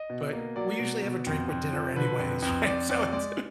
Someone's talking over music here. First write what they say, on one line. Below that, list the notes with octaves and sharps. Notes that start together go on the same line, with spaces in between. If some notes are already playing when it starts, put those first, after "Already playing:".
but we usually have a drink with dinner anyways, right? So it's,
Already playing: D#5
B2
A#3
F#3 D5
B2
B2
F2
F2
F3
D3 B4
F2
F2
F2 D5
F2 D5
G#3 D5